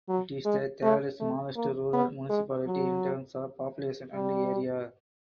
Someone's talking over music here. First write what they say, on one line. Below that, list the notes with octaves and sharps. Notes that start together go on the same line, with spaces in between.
It is the third smallest rural municipality in terms of population and area.
F#3
G#3
A3
A3
A#3
B3
G#3
F#3
G3